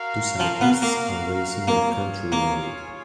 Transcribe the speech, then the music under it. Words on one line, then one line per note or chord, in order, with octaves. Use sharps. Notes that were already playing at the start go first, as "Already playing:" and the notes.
Two cyclists are racing on a country road.
Already playing: F#4 A#4 F5
F3
B3
A#3
A#3 F4 G#4 C#5 F5
A#3